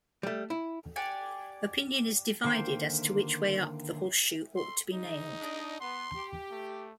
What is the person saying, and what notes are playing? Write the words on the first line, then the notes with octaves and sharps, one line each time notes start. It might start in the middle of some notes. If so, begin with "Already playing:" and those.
Opinion is divided as to which way up the horseshoe ought to be nailed.
G3 A3
E4
G4 D5 F#5 G#5
D3 D#3 A#3 C5 G5
C6
D#4
D4 D#5
B3 C6
G4
A3